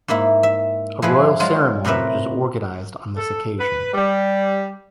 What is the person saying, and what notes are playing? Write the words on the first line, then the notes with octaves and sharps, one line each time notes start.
A royal ceremony is organized on this occasion.
G#2 A#3 E4 E5
E5
F3 E4 G#4 B4
F#3 G#3 F4
A2 C3 A#4 B4 E5
A4
B4
G3